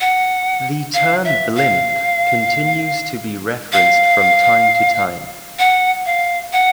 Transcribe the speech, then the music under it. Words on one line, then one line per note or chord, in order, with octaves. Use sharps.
The term "Blimp" continues to be referenced from time to time.
F#5
F5
E5
F5
F5
F#5
F5
F#5